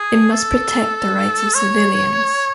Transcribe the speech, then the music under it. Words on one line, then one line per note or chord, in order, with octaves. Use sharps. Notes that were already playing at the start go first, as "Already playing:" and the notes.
It must protect the rights of civilians.
Already playing: G#4
A4
C#5